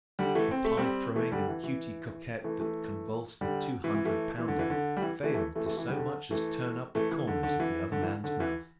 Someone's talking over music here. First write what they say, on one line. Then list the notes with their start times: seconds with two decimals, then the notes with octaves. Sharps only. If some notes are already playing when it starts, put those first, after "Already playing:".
The pie-throwing and Cutey Coquette that convulse the two-hundred-pounder fail to so much as turn up the corners of the other man's mouth.
0.19 D3 G3
0.35 E3 A3
0.51 C4
0.64 A3
0.77 G3 C4
1.16 E3 A3
1.32 D3 G3
1.48 E3
1.64 E3
2.44 E3 A3
2.60 E3 A3
3.41 D3 G3
3.84 E3
3.95 E3
4.05 E3 A3
4.38 E3
4.48 D3
4.59 E3
4.70 D3
4.97 G3
5.02 E3
5.23 E3 A3
5.34 E3 A3
5.55 E3 A3
5.66 E3 A3
5.77 E3
5.88 D3 G3
5.99 D3
6.31 E3 A3
6.95 E3 A3
7.12 E3
7.27 D3
7.43 D3
7.60 E3
7.92 D3
8.02 E3
8.24 D3
8.40 E3